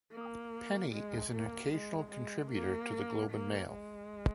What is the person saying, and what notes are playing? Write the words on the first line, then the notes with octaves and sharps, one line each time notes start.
Penny is an occasional contributor to the "Globe and Mail".
A#3
G#3
A#3
G#3
G#3
A#3
A#3
G#3